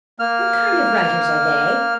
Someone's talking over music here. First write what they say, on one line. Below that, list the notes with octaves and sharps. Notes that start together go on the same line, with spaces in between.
What kind of writers are they?'
A#3 F6